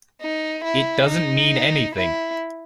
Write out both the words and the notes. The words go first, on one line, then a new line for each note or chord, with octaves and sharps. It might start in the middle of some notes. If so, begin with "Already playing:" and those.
It doesn't mean anything.
D#4
E4
D#4
E4